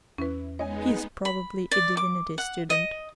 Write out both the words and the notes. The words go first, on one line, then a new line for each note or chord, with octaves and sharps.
He's probably a divinity student.
E2 C#4 E4 B4
G#3 B3 D#4 C#5 D#5 G#5
B5
D5
D6
F#5
D#5